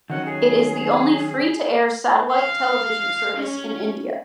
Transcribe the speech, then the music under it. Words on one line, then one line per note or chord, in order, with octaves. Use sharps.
It is the only free-to-air satellite television service in India.
D#3 F#3 C#4 F#5
G#4
F5
C#4